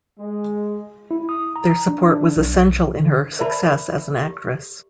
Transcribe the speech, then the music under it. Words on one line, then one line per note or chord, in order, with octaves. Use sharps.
Their support was essential in her success as an actress.
G#3
E4
D#6
A#5
D4
D4
B1
D3
A#4 C5 D5 E5 A5 B5
G4